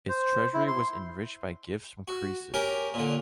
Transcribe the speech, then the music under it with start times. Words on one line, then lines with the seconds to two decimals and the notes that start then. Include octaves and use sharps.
Its treasury was enriched by gifts from Croesus.
0.09 C5
0.54 E4
0.68 C6
2.08 F#4
2.54 C#4 G4 A#4
2.94 A#2 D3